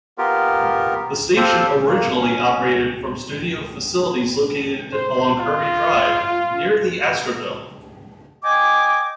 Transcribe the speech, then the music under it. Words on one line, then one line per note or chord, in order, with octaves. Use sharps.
The station originally operated from studio facilities located along Kirby Drive, near the Astrodome.
B3 F4 G4 A#4
C4 F4 G4 A4 C5
A#3
C#4
C5
F4
D#5 G5 G#5 D6